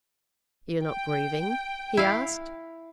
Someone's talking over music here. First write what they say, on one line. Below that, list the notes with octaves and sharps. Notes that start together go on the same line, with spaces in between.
"You're not grieving?" he asked.
G5
E4 F5